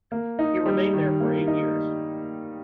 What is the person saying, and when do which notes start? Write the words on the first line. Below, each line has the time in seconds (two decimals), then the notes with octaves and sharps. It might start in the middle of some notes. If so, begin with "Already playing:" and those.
He remained there for eight years.
0.12 A#3
0.39 D#4
0.66 G3
0.93 D#3
1.20 A#3
1.48 D#4